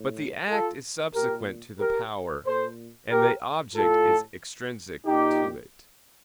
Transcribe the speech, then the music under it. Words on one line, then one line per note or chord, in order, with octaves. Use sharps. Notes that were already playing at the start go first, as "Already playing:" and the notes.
But the act is subsequent to the power; and the object is extrinsic to it.
Already playing: A2
F4 A4
A#2 G4 A#4
G4 A#4
A#2 A4 C5
G4 A#4
A2 F4 A4
A#2 D#4 G4